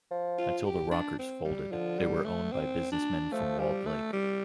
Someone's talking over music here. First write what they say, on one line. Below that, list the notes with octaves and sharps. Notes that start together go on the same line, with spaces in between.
Until the Rockers folded, they were owned by businessmen from Walled Lake.
F3
F4
G4
D4
C4
G3
D3 F3
G3
A3
C4
D4
F3 A3
G3
A3
G3